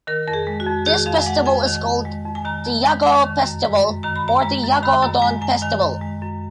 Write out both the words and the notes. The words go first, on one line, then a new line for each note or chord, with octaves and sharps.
This festival is called the Yagorou Festival or the Yagorodon Festival.
D#3 A#4
F2 A#4
G#4
G#3
F#4
F2
D#3 G#4
F2 F5
G#5
G#3 F#5
F2 G#5
D#3
F2
G#3
F2
G#5
D#3 A#5
F2
G#3
F2
D#3
F#2
G#3
F#2
D#3 A#5
B5
F#2 A#5
G#3 A#5
F#2
D#3 B5
F#2 A#5
G#3 G#5
F#2 G#5
D#3 G#5
F#2
G#3
F#2